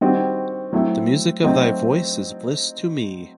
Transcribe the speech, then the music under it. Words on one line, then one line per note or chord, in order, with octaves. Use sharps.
The music of thy voice is bliss to me.
D#3 G3 C4 F#4
F#3 A3 C4 E4
F#3 A3 C4 D#4 F#4